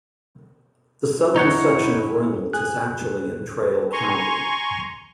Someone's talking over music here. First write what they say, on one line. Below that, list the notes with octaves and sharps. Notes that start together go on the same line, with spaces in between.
The southern section of Reynolds is actually in Traill County.
D#4 E4 C#5 F#5
G#4 F#6
G#5 A#5 C6 C#6